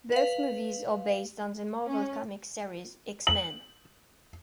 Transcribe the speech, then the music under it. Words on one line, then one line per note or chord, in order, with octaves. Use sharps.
Both movies are based on the Marvel Comics series "X-Men".
B4 F5
C#4
F#7